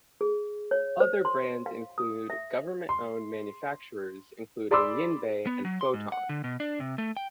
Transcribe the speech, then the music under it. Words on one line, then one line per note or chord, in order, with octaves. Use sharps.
Other brands include government owned manufacturers including Jinbei and Foton.
G#4
C#5
C5
C6
F5
D#6
E5
C6
G#4 D5 B5 C6 D6 E6
B3
F#3
C6
G#2
F#5
D3
B2
D4
C3
A3
G5